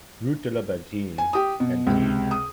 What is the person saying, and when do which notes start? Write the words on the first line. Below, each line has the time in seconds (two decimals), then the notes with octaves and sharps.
Route de la Badine, Antibes.
1.18 G#5
1.33 G4 D#6
1.60 B2
1.87 C#2 C3
2.31 D#6